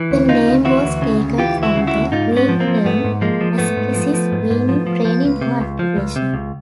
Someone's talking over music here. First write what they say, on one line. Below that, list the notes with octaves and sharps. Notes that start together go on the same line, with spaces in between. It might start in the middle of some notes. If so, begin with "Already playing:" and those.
The name was taken from the Greek term "Askesis", meaning 'training' or 'application'.
Already playing: E3
D2
C#3 D#4 F4
D2
E3 E4 F#4
D2
C#3
D2
E3 F4 G4
D2
E4 F#4
C#3
E4 F#4
D2
G#2 D#4 F4
G#2
B3 C#4
F3
A#3 C4
F3
G#2 A3 B3
G#2
F3 G#3 A#3
F3
G#2 A3 B3
G#2
F3
F3
G#2
G#2
F3
F3
F3
C#2
C3
C#2
F3
C#2
C3
C#2